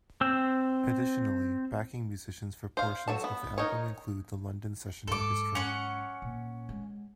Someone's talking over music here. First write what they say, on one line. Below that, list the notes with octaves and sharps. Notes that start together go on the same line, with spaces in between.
Additionally, backing musicians for portions of the album include the London Session Orchestra.
C4 E6
C5 F5
F#3 A4 A5
B3
D#4 A#4 C#5
G#2 F#3 A4 D6
C#4 F#5
A#2
G#3